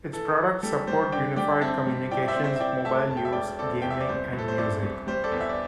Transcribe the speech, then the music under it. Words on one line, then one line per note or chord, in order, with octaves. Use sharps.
Its products support unified communications, mobile use, gaming and music.
E3 A4
E3
G3 A4
G3 C5
D3 D5 G5
G3 D5 G5
C4 E5 A5
G3
E4 D5 G5
D5
C5 E5
C4
C5 E5
E5
E4 D5 G5
A3 E5 A5
E1 A5
G5
E5
E1 D5 G5
C4 A4 D5
E2 G5
E5
D5
C2 C5
C2
A4
C5
C2 A4 D5
C2
G3 C5
A4 D5
E2
E5
D5